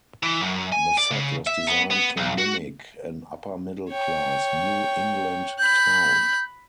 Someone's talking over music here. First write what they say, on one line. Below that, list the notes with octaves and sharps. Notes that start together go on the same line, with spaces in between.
The set was designed to mimic an upper-middle class, New England town.
E3
F#2
G#5
D5
C#3
E5
B3
B3
B1
F#4
C#5 G5
B5 F#6 G6